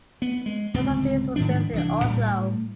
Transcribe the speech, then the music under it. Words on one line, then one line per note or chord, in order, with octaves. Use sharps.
Most of these were based in Oslo.
B3
G#3
D1 C#2 C4
G#2 D#3 F3 D4
C2 E3 D4
A2 G3